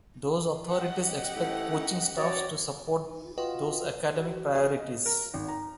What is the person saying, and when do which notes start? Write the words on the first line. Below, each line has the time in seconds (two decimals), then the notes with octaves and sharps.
Those authorities expect coaching staffs to support those academic priorities.
0.67 G4 D#5 F#5
1.36 A3 E4
2.17 F#4 C#5 D5
3.38 F4 F#4 B4 D#5 G5
4.55 G#4
4.77 D#5
5.06 A#4
5.34 G#1
5.48 A#5